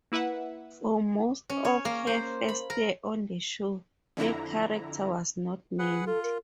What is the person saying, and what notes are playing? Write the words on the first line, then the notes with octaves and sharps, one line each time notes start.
For most of her first year on the show, her character was not named.
A#3 E4 B4 E5 F#5
C#4
C#5
A#3
C5
B5
A#4
F2 D3 E4 A#5
G#4 B4 F#5
F4 A4
A#4